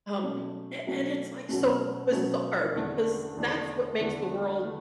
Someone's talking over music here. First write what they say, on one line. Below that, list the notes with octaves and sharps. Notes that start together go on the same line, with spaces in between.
Um, and and it's, like, so bizarre because that's what makes the world
B2 F#3 A3 C#4
B2 F#3 A3 C#4
B2 F#3 A3 C#4
B2 F#3 A3 C#4
E2 D3 A3 D4
E2 D3 A3 D4
E2 D3 A3 D4
D3 A3 D4